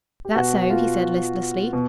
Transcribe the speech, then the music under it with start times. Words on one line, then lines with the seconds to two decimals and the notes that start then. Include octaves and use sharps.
"That so?" he said listlessly.
0.25 G4
0.35 B2 F#4
0.70 F4
1.73 B2